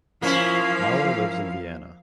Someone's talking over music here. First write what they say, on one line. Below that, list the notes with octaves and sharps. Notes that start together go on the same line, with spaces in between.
Mahler lives in Vienna.
F3 A#3 C#4 E4 F5